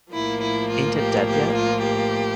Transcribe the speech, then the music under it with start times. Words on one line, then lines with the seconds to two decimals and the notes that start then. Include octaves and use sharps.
Ain't it Dead Yet?
0.13 A2 F3 A#3 E4
0.42 E4
0.70 F4
0.98 G4
1.26 G4
1.55 F4
1.83 G4